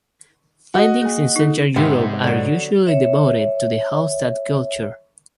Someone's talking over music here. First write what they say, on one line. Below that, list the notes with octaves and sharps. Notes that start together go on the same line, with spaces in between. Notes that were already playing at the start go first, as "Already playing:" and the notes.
Findings in Central Europe are usually devoted to the Hallstatt culture.
F#4 D#5
A#3 G#4
D#4 A4
G#2 C3 B3 F5
D3 F#3
C#5 E5